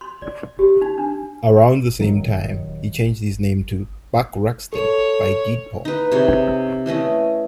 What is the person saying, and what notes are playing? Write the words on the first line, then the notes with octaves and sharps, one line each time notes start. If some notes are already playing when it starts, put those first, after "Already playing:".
Around the same time, he changed his name to "Buck Ruxton" by deed poll.
C6
D5
G4
D#4
D4
D#1 D#3 F#3
A4 C#5
D#4 B4
C3 G#4 C#5
E3 A3 C#4 D#5